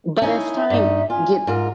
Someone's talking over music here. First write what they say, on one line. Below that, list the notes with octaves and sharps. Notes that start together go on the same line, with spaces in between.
but as time gets
C#4 D#4 E4
E5
G2 D#4
F4 G#5
G#2 F4 A#4